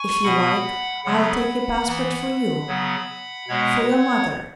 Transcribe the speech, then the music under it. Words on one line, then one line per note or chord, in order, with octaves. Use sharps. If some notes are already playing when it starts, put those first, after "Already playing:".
If you like, I'll take a passport for you... for your mother....
Already playing: G#5 C#6
B2 B3 F#5 B5
C#3 F#3 B3 F#5 B5
E3 B3
C#3 F#3 B3
B2 G#3 B3 C#5 F#5